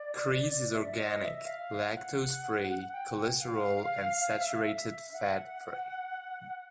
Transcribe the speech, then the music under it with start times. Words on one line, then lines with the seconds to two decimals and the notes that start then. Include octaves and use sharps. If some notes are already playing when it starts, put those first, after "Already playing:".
Chreese is organic, lactose-free, cholesterol and saturated fat-free.
Already playing: D5
0.72 E5
0.89 D5
0.97 D#5
1.21 E5
1.45 F5
1.95 F#5
2.93 G5
3.17 F#5
3.42 F5
4.40 E5
4.77 E5
5.14 F#5